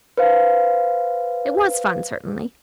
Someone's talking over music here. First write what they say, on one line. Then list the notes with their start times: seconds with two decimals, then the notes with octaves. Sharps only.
It was fun, certainly.
0.18 B4 C5 F5